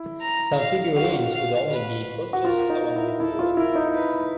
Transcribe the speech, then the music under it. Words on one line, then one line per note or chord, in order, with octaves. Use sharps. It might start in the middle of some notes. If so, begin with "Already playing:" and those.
Some figurines could only be purchased along with food.
Already playing: E4
A#5
F5
F#4 F5
F4
F#4
F5
B4
F#4
F4 A#4
D#4
E4
E4 A4
F4
E4 A#4
D#4
B4